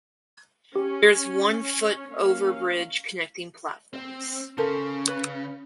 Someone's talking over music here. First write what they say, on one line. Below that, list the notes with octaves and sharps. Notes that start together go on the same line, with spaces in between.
There is one foot overbridge connecting platforms.
C#4 G4
A#3 C#4 F5
C4
C#3 A4 A#4 C5
B4